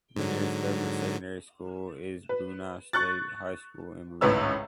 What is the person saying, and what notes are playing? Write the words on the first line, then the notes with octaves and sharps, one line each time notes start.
The nearest government secondary school is Boonah State High School in Boonah.
G#2 D3 F#3
B4
C#6 F#6 A6
G#1 C#2 A2 B4 C#5 E6